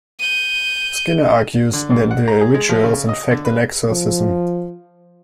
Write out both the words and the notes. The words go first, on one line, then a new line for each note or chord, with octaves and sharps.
Skinner argues that the ritual is in fact an exorcism.
G6 D#7
D3
G#2
F#5
A#5
G#4
G#3
F3
C#3
D#5
D3
B4
F3